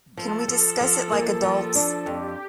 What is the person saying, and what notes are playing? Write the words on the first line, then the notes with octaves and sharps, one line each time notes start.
Can we discuss it like adults?
F3 A4
F3
F3
A#3
F3
D4
F2 G4